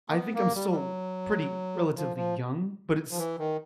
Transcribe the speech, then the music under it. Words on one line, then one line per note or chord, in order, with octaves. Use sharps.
I think I'm still pretty relatively young, but it's
A#3
B3
A#3
G3
G3
F#3
F3
F3
F3
E3
D#3